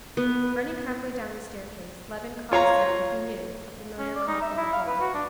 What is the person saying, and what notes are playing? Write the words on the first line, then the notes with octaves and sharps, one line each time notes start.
Running halfway down the staircase, Levin caught a sound he knew, a familiar cough in the hall.
B3
F4 C#5 F5 A#5
C#4
D5
D#4
E5
E4
F5
B4
F#4
D4